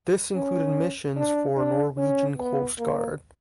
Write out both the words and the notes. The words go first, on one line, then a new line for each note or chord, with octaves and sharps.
This included missions for Norwegian Coast Guard.
C#4
D4
D4
C#4
B3
A#3